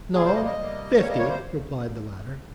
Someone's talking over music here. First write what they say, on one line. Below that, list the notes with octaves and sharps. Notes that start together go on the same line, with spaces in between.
"No, fifty," replied the latter.
C3 G3 A#3 G#4
C5
D#5
D#5
C3 G3 A#3
C3 G3 A#3 C#5
D#5
C#5
C5